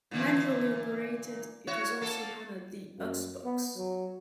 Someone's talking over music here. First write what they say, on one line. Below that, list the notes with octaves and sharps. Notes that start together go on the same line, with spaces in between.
Manually operated, it was also known as the Ox Box.
A#2 D3 E3
E4 F#4 C#5
A#3 A4
F#2
B3
F#3